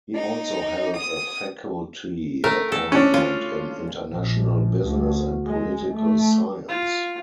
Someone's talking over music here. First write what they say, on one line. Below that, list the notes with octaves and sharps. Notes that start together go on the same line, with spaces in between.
He also held a faculty appointment in international business and political science.
D#4
D#6
A3 A#4
A4
C#4 D4
F4
A#1
D2
G#3
A3
F4